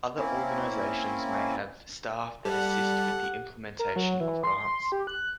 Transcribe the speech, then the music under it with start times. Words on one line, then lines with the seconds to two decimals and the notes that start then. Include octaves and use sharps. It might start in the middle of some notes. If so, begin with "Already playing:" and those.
Other organizations may have staff that assist with the implementation of grants.
0.17 A#3 C4 C#4 E4
2.45 G3 G4 A4 F#5
3.79 A#4
3.96 F#3
4.20 E3
4.44 C6
4.57 C6
4.92 G4
5.07 F#6